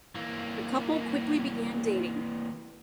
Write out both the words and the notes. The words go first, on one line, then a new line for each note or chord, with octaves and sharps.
The couple quickly began dating.
E3 A#3